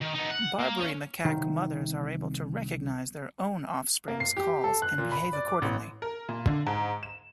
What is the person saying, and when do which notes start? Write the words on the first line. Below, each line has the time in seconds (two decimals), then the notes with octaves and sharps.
Barbary macaque mothers are able to recognize their own offspring's calls and behave accordingly.
0.02 D#3
0.15 B3 D#4
0.31 F#5
0.60 A#3
0.81 C#4
1.25 C2 D#3
4.08 A#3
4.20 C7
4.37 G4
4.64 A4
4.82 F#6
4.98 A#2
5.12 B5
5.33 D5
5.48 D6
5.62 A1
6.02 A#4
6.29 A#2
6.47 D3
6.67 G#2
7.03 E7